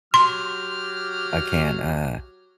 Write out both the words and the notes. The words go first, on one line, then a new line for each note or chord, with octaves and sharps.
I can't, uh,
F#3 G4 C6 F6